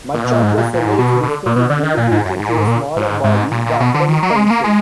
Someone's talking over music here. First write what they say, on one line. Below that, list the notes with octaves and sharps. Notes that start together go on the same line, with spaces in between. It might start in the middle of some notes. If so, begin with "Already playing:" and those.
Much of the Senate's business is delegated to a smaller body, the Academic Council.
A#2
B2
A#2
G#2
A#2
A#2
G#2
B2
B2
D3
A#2
B2
D3
D#3
A#2
G#2
F#2
G#2
A#2
G#2
A#2
G#2
G#2
A#2
A#2
B2
D3
D#3
F#3
A#3
G#3
G#3
A#3
G#3